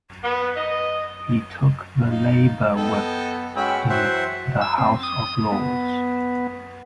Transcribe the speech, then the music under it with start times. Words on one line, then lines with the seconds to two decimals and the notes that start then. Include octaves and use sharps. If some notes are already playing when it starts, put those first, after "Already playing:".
He took the Labour whip in the House of Lords.
0.24 B3
0.57 D#5
2.10 D#4 F5
2.76 B3 A4 D#5 G5
3.56 G#3 C#4 F#4 G5 B5 E6
3.90 E3 F#3 C5 E5 F#5
4.61 E6
4.78 C4
5.03 D#6
5.52 B3